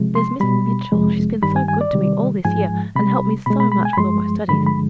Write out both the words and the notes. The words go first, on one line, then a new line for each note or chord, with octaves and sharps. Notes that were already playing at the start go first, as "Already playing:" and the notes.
There's Miss Mitchell ... she's been so good to me all this year and helped me so much with my studies.
Already playing: C3 F3 G#3
C6
B2 G3 B5
F2 C3 F3 G#3
G2 D#3 G3 B5
G#5
G#5
D5
C3 D#3 G3
G#2 F3 G#3 G#5
C3 G3 B5
B2 G#3 B5
B5
B5
G#5
B5
G2 F3 G#3 C6
G2 D3 F3 G#3 B5
B5